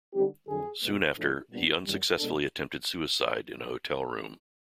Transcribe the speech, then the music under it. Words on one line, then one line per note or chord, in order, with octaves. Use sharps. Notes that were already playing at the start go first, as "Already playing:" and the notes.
Soon after, he unsuccessfully attempted suicide in a hotel room.
D3 G3 C4 D#4 G4
F2 D3 F#3 G#4
E2 B2 G#3 B3
A2 F3 A3 D4
A#2 G3 B3 D4
F#2 D#3 G3
B2 G#3 B3 D4 A4